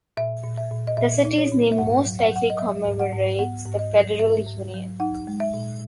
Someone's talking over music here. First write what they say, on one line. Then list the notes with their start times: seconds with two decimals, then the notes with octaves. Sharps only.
The city's name most likely commemorates the federal union.
0.17 A#2 E5
0.44 A#2
0.57 E5
0.71 A#2
0.87 D#5
0.97 A#2 E5
1.25 D#4
1.38 C#5
1.52 A#2
1.72 E5
1.78 G#2 F#5
2.05 F#3
2.19 F#5
2.32 F#3 F#5
2.50 D#5
2.59 F#3 E5
2.85 G#2
2.99 F#5
3.12 G#2
3.39 B3 F#5
3.66 G#2
3.79 D#5
3.93 F#3
4.19 G#2 E5
4.46 G#2
4.74 F#3
5.00 D#4 F#5
5.27 G#3
5.40 E5
5.54 A#2